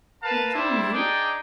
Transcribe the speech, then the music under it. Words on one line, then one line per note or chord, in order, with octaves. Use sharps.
Making me?
A#4 B4 F5 A5
G3 D4 E4 C5 A5
D4 D#4 G#4 D5 G5